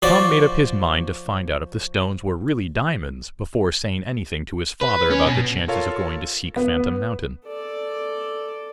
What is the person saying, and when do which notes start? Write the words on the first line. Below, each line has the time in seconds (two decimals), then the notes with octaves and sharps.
Tom made up his mind to find out if the stones were really diamonds, before saying anything to his father about the chance of going to seek Phantom Mountain.
0.02 F3 F#4 C#5 D5
4.82 B4
5.10 C#4
5.26 B2
5.68 F4 A4 A#4 C#5 F5
6.56 B3
7.46 A4 D5